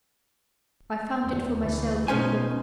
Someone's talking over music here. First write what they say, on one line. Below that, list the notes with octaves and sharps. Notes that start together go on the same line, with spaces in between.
"I found it for myself in a book."
E2
D2 E3
B2 C#4 D#4 C5 G#5